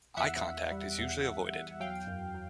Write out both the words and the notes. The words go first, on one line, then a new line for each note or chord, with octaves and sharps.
Eye contact is usually avoided.
E2 E5 F#5
E2
G3
E2
E2
E2
F#3 F5 G5
F#2
F#3